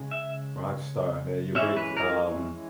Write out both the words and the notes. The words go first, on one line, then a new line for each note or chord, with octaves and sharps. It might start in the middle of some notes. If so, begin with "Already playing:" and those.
Rockstar, man, you're big, um
Already playing: C#3 G#3 C#4
E5
E3 G#3 C#4 E5
B4
A#4